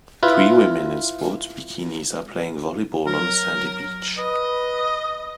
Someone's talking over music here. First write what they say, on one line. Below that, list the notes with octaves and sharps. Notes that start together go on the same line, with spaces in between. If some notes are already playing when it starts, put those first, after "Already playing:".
Three women in sports bikinis are playing volleyball on a sandy beach.
E4 F4 B4
F#3 A#4
B4 D#5